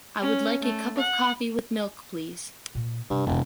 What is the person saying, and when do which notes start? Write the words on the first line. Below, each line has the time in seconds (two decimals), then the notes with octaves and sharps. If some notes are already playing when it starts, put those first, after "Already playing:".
I would like a cup of coffee with milk please.
0.22 C#4
0.62 A3
0.98 F#5
2.75 A#2 A#3
3.10 G2 C3
3.26 E1 F2 C3